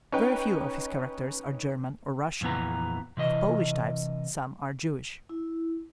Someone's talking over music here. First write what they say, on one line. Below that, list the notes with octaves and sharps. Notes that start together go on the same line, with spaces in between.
Very few of his characters are German or Russian; of Polish types some are Jewish.
C#4 D#4 B4 G5
F2 A#2 E3 B3 A#5
C3 E3 D#5
E4